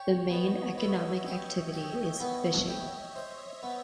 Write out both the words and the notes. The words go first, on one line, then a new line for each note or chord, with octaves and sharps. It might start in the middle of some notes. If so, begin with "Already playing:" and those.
The main economic activity is fishing.
Already playing: G4 C#5
B3 D#5
B3 E5
G4 D#5
G4
B3
G4
C5
B3